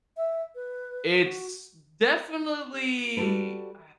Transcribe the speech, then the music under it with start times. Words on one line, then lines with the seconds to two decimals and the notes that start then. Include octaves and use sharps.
it's definitely ah,
0.17 E5
0.55 B4
1.21 F#4
3.17 G3 F#4 G4 A4 B4